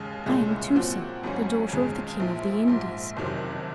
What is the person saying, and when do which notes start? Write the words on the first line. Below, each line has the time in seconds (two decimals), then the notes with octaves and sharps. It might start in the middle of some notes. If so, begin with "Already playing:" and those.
I am Tusa, the daughter of the King of the Indies.
Already playing: D#2 C#3 G#3
0.26 C2 A#2 G#3 C#4
0.75 A#2 F3 C4 F#4
1.23 G#1 G#2 F#3 C#4
1.72 F2 C#3 G#3
2.20 A#1 A#2 F3
2.68 A#1 G#2 F3
3.17 F#1 F2 C3 D#3 F#3